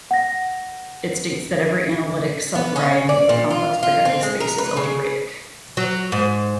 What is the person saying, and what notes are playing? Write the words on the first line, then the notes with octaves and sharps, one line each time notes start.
It states that every analytic subvariety of a complex projective space is algebraic.
F#5 A#6
B3
C#4
D5
A#2
F4
F4
C4
G#3
A#4
B4
C#3
F#3
G#2